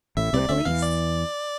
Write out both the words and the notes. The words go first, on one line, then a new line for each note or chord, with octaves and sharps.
"The police."
A1 A2 E5
C2 C3 D5
D2 D3 E5
E2 E3 F5
D5